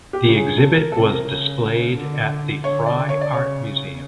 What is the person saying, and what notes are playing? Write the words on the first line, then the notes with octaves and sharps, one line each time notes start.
The exhibit was displayed at the Frye Art Museum.
G4
C#3
G#4
A4
A#4
C3 A4
A#4
C#3
D3
D3 C#5
D5
C#5
D5
C#3 C#5